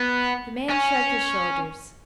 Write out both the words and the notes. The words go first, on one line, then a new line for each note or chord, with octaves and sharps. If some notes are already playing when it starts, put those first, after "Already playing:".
The man shrugged his shoulders.
Already playing: B3
C#4